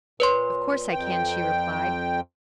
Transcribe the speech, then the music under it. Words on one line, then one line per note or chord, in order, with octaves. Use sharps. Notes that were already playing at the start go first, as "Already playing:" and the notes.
"Of course I can," she replied.
A#2 B4 C#5 C6
F2 G5